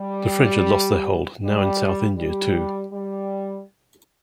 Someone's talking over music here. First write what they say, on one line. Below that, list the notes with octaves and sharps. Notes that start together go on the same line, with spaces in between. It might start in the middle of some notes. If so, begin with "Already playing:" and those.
The French had lost their hold now in South India too.
Already playing: G3
G3
G3
G3